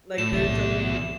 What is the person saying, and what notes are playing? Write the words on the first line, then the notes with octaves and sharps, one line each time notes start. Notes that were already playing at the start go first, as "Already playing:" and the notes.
Like there's so many
A2 E7
B1 E2 A2 C3 E5